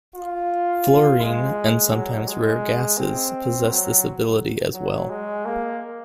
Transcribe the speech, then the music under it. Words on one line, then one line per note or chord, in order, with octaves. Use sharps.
Fluorine and sometimes rare gases possess this ability as well.
F4
G#3
F#3
G#3
C4
F#3
F#3
G#3
A#3